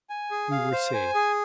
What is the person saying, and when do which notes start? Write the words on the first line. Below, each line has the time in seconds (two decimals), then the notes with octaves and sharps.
We were safe.
0.10 G#5
0.31 G#4
0.51 F5
0.72 C5
0.94 G#5
1.15 G#4